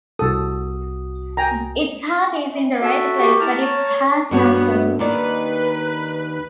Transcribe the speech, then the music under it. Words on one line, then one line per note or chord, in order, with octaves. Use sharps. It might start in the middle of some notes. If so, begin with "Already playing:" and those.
Its heart is in the right place, but it has no soul.
C2 F#4 A4 D#6
G5 G#5 A#5
F#4 A4 E5
G4 C#6
E4 A5 A#5 F6
C#5 C#6
G2 B3 F#4 C#5
D#2 D#3 B4 D5